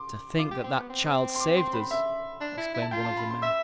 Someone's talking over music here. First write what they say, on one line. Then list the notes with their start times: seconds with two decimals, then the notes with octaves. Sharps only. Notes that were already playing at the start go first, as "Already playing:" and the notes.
"To think that that child saved us!" exclaimed one of the men.
Already playing: C6 D6
0.39 F4 D6
0.51 G4
0.64 C4
0.77 B3
0.90 C4
1.35 C6
1.40 D6
1.57 C6
1.73 B5
1.91 E5
2.40 D4
2.57 E4
2.74 E4
2.82 A5
2.91 F4 G5
3.05 A5
3.17 B5
3.30 C6
3.42 E5 E6